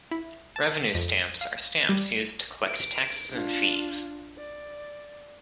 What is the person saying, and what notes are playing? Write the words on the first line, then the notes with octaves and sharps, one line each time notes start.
Revenue stamps are stamps used to collect taxes and fees.
E4
A5
F2
F5
G3
D7
D4 F4
D5